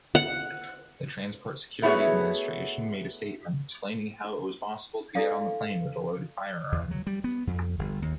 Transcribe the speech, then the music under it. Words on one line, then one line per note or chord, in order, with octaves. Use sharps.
The Transport Security Administration made a statement, explaining how it was possible to get on the plane with a loaded firearm.
F#5
A3 B3 E4 F#4 G#4 C#5
D4 E4 A4 D5 F5
E2
F#3
G3
B3
F2
G1
D#2